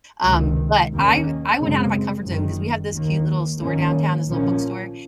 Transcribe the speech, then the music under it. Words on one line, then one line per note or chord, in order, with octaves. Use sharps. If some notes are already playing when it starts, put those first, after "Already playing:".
Um, but I w I went outta my comfort zone 'cause we have this cute little store downtown, this little bookstore,
C#2 C3 D#3
D#2 D#3 A#3 C#4
F#2 C#3 G#3 C4
F#1 F#2 D#3
D#2 D#3 A#3
G#2 D#3 A#3 C#4
A#1 A#2 F3 A#3 C#4